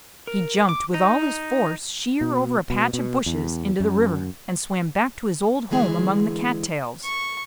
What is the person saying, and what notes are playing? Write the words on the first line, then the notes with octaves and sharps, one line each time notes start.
He jumped with all his force sheer over a patch of bushes into the river, and swam back to his old home among the cat-tails.
A#4
D6
D#4
B2
B2
B2
E2
F#2
D3 E3 G#3 G#4
C#6